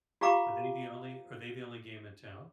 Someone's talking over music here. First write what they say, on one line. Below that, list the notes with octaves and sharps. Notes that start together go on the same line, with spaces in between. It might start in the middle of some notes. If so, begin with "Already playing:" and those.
Are they the only are they the only game in town?
F4 G4 F5 A#5 D6